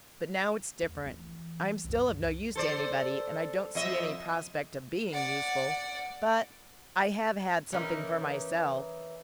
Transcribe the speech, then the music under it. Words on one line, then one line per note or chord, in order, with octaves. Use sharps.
But now it's different--I'm still of no use to anybody, and I don't see any prospect of being useful, but I have had something for myself.
E2
E3
C2 F#2
A4 C5 D5
F2 D#5 E5
D5 F#5
E3 C#4 D#4 A#4